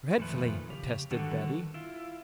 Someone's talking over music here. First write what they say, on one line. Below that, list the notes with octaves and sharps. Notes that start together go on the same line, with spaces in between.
"Dreadfully," attested Betty.
F2 A#2 D#3 F3 A3 B4
C#3 G4
D3 D#3 G3 F#4 A4 B4
E4 F4